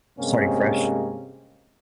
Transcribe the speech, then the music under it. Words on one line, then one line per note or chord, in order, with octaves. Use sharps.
Starting fresh.
G2 C3 G#3 A#3 C4 C#4